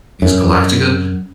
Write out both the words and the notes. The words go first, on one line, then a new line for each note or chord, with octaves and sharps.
Is Galactica,
F#2